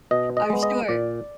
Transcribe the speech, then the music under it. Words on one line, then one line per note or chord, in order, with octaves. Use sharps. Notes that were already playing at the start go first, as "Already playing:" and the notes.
I'm sure.
B2 D#5
D#5
G#3 B3
D#5
A#2 D5